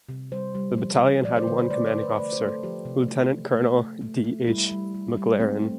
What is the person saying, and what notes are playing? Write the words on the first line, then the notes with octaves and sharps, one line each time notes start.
The battalion had one commanding officer: Lieutenant-Colonel D. H. MacLaren.
C3
G3 C5
G3
F3
C3
F3 D5
C5
D3 B4
C5
A3 D5
C5
A3
B4
A3 D5
C5
A3
A4
F3 G4
C3
A3
A3
A3
A3
A3
A3
G3 E4
G3
G3
G3
A3 C4
A3